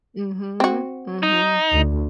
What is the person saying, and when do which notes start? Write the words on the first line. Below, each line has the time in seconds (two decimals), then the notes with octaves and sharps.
Mhm, mhm.
0.60 C4 F#4
1.23 D#4
1.72 D2